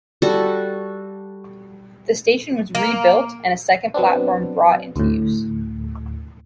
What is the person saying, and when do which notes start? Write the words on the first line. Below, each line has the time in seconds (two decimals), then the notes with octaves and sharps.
The station was rebuilt and a second platform brought into use.
0.22 G3 F#4 A4
2.75 A#3
3.94 F#3 B3 C4 D4
4.96 D2 A2